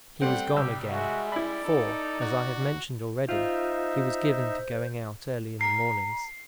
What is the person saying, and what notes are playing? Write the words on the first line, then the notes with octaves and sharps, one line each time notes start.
He was gone again, for, as I have mentioned already, he was given to going out early in the mornings.
G3 A3 C4 F#5 G5
C2 G3 G4 E6
G#3 F#4 E5
E4 D5 B5
D#4 A4
F#4
D#4 F4 C5 E5
A#5 C7